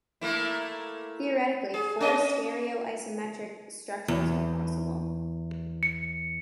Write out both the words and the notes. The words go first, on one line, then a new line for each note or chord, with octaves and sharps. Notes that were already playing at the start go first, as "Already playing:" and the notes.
Theoretically, four stereoisomeric structures are possible.
A3 A#3 E4
G#4
C#4 D#5
E2
C#7